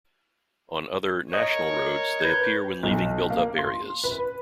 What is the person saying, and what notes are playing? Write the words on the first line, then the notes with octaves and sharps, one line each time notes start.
On other national, roads they appear when leaving built-up areas.
A#4 C#5 D#5
B4 G6 G#6
B1
A#3
C6
B4